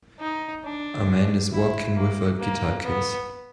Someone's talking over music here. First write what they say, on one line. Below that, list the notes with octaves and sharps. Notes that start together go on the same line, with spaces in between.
A man is walking with a guitar case.
D#4
D4
E4
A#3
A#3
B3